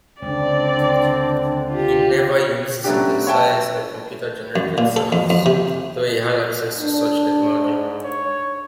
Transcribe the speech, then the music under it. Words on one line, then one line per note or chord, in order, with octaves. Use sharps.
He never used synthesized or computer-generated sounds, though he had access to such technology.
C#2 D3 C4 D5
F4 G4
F#3 A3 B3 C#4 D4 G4
C#5 E5 G5 A5
F#2
A#2
A4
F2
F2
C3
D4
G#2
C#5